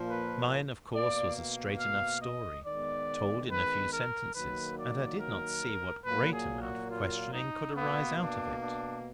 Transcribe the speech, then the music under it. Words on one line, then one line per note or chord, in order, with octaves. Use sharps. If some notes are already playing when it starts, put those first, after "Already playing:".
Mine, of course, was a straight enough story, told in a few sentences, and I did not see what great amount of questioning could arise out of it.
Already playing: A#2 F3 A#3
B4
B2 A#3 D5
F5
D#5
D#3 G#3 B3 D5
B4
A#4
D#3 F#3 A#3 B4
D5
A#4
A#2 F#3 A#3 B4
G#4
F#4
F4
D#4
B2 A#3 B3
D4
D4